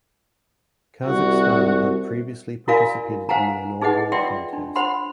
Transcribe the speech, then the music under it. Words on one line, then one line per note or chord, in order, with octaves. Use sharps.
Kazakhstan had previously participated in the inaugural contest.
C2 F#4
E4 F#4 A#4 D5 F5 G#5
C5 F5 F#5 G#5 A#5
D#4 G#4 B4 D#5 F#5
F4 D5 E5 F#5 G5 C6
D4
C5 F#5 B5 C6